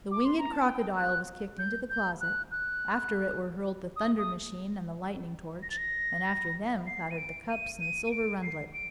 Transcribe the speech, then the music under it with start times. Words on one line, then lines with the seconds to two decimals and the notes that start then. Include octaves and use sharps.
The winged crocodile was kicked into the closet, after it were hurled the thunder machine and the lightning torch, and after them clattered the cups and the silver rundlet.
0.11 D6
0.25 C6
0.38 A#5
0.52 A5
0.65 G5
0.96 F#6
1.59 G6
1.89 G6
2.21 F#6
2.51 F#6
3.96 D#6
4.18 D#6
5.63 A#6
5.70 A6
5.78 A#6
6.87 C7
7.11 D#7
7.18 D7
7.49 D#7
7.80 D#7
8.06 D#7
8.12 D7
8.43 C7
8.73 D7